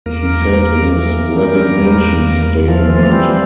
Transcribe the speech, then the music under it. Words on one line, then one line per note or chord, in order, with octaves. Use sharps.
He said in his resignation statement.
E2 A#3 A#4
E2
E3
G3
E2
E2
E3 F3 F4
F3 F4
A#3
G3 C4